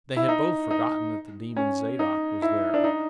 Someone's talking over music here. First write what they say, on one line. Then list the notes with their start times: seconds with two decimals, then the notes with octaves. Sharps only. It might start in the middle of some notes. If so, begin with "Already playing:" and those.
They had both forgotten that the Demon Zadok was there.
0.17 E4
0.28 D#4
0.71 D#4
1.56 C#4
1.99 D#4
2.42 E4
2.74 D4
2.84 D#4